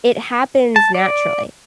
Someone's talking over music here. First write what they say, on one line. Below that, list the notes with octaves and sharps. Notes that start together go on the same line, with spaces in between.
It happens naturally.
A5
D5